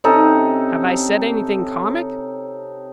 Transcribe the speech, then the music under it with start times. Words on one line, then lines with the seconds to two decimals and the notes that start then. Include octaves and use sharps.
"Have I said anything comic?"
0.04 C3 C#4 D#4 A4